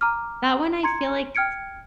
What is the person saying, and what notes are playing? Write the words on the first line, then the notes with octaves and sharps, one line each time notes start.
that one I feel like,
A#5 D6 F6
A#5 C6 G#6 C#7
G5 F6 G#6 C#7 D7